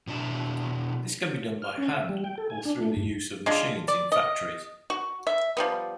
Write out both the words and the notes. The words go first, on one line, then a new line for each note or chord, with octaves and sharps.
This can be done by hand or through the use of machines in factories.
B2 D4 E4 A5
F6
C#4
E5
G3
G5
A4
G#5
D4
A3
G2
G#3 D4 F4
D5
D#5
F#4
E5
F3 G3 B3